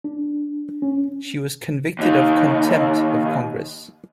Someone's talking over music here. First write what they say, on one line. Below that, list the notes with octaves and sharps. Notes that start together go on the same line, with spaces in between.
She was convicted of contempt of Congress.
D4
C#4
D#2 D#4